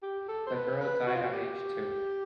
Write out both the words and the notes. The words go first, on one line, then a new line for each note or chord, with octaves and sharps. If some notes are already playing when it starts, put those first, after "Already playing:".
The girl died at age two.
G4
A4
C5
B4
B4
F#4
F4
F#4
G4